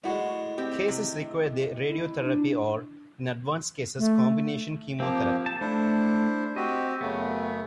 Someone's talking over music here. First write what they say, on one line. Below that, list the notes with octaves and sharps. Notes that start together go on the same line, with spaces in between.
Cases require radiotherapy or, in advanced cases, combination chemotherapy.
A2 G#3 E4 F#4
C4 G4
C3
E4
D4
A3
F3 A#3 C4 G4
A5
A3 D4 E4 C5
C4 F#4 G4 D#5
F#2 C#3 A3 B3